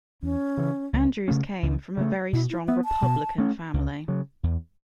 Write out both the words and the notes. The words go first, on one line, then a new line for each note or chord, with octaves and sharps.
Andrews came from a very strong republican family.
E2 C#4
C#3 E3
C#2
C#3 A3 C#4
C#2
C#3 A3
B2 E4
E4
B3 E5
A5
B2
A3 C#4
C#2
C#3 F#3
E2